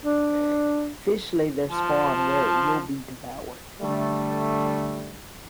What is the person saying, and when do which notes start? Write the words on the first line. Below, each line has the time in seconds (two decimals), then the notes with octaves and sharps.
Fish lay their spawn where it will be devoured.
0.05 D4
1.70 F3 A5
3.82 D3 G3 A3